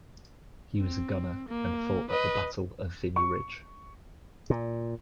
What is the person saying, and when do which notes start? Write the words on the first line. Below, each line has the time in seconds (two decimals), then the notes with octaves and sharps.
He was a gunner and fought at the Battle of Vimy Ridge.
0.78 C4
1.49 A#3
2.10 B4 D#5
3.16 C#6
4.50 A#2